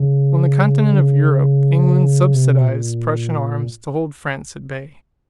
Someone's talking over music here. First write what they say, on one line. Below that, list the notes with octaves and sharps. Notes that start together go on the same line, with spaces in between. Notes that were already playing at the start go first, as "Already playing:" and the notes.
On the continent of Europe, England subsidized Prussian arms to hold France at bay.
Already playing: C#3
D3
C#3
C3
B2
A#2